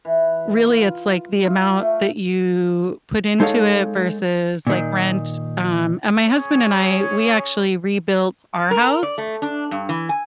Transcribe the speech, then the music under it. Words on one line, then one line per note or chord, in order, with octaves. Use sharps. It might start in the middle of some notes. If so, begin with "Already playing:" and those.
really it's like the amount that you put into it versus, like, rent, um, and my husband and I, we actually rebuilt our house,
E3
F4
F4
A3
G#3 D#4 A4 C#5 F5
A#2 D#3
C#4 G#4 C#5
A#4
D5
A3
D4
G2
E3
G#5